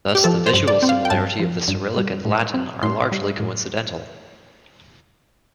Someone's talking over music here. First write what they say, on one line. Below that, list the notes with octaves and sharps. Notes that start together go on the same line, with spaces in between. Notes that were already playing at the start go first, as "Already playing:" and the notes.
Thus the visual similarity of the Cyrillic and Latin are largely coincidental.
G4
F3 A4
C5
G2
D5
C4
F5
G5
G2 A5
F3
G2
G3
A2
C4
A2 C6
G3
A2